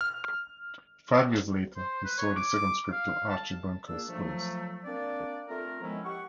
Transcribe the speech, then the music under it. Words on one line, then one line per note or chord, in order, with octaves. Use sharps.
Five years later, he sold his second script to "Archie Bunker's Place".
F6
C5
B4
C#5
D6
F5
A5
A#2 A#3 D4 G#4 D5 E6
F3 F#3 A3
A#3 C4 D4 D5
A3 C4 F4 A4 A#4
D#3 F3 G#3 B3 C#4 E4
G4 F#5 C#6